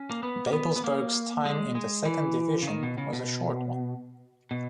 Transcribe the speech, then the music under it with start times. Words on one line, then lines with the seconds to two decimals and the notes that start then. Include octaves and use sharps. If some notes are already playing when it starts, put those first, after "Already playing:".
"Babelsberg's" time in the second division was a short one.
Already playing: C#4
0.11 A#3
0.23 B3
0.47 A#3
0.53 B3
0.76 B3
0.84 A#3
1.45 G#3
1.75 G#3
2.05 E3
2.62 C#3
2.67 D#3
2.83 B2
2.98 C#3
3.13 B2
4.51 B2